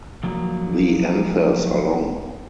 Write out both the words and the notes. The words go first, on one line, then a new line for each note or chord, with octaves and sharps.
The anthers are long.
F3 F#3 A#3